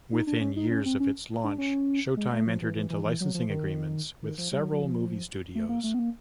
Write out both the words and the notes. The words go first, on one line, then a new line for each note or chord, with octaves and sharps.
Within years of its launch, Showtime entered into licensing agreements with several movie studios.
D#4
D4
C#4
D#4
C#4
C4
C#4
D4
C#4
G#3
A3
F3
E3
E3
E3
E3
F#3
F3
D#3
D#3
F3
G3
F#3
F#3
F3
A3
A#3
A3
B3
A#3